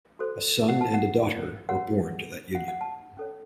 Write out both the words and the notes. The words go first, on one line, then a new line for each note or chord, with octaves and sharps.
A son and a daughter were born to that union.
F#4 A4 C5
F#5
A5
F#5
F#4 A#4 C#5 F#5
F#5
F#5
A5
C#4 A4 C#5